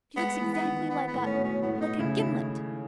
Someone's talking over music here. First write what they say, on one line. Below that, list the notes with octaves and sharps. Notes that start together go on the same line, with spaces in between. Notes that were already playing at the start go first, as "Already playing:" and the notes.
"She looks exactly like a--like a gimlet."
G#3 B3
E3
B3
D#3
B3
B3
A2
C#4
B2
C#4
A2 B3
D#4
C#3 E4
D#3 E4